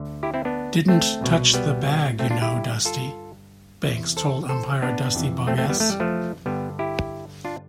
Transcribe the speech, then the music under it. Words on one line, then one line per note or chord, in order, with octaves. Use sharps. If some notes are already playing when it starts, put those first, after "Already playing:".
"Didn't touch the bag, you know, Dusty", Banks told umpire Dusty Boggess.
Already playing: D2 D3
E4 G4
C4 E4
B3 D4
A3 C4
C2 B2
G3 B3
A3 C4
D4 F4
E4 G4
G2 D3
F4 A4
E2 C3 E3
A4 C5
A4 C5
B3 D4
F2 C3 E3
A3 C4
A3 C4
G3 B3
A3
G3
F3 A3
G2 D3 G3 B3
E4 G4
D4 F4